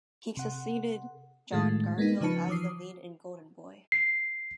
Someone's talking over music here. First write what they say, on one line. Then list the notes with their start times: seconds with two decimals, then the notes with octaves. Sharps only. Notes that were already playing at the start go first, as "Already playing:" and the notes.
He succeeded John Garfield as the lead in "Golden Boy".
0.37 C3 F#5
1.52 A2 D#3 G#3 A3
1.98 G#3 A#3 B3 D#4
2.21 C#3 F3 D#4 B4 A5 C#7
2.48 E3 F3 D6 D#6 C7
3.92 C7